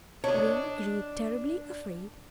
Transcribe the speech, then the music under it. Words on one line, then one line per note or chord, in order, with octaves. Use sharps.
Ring grew terribly afraid.
D4 C#5 D#5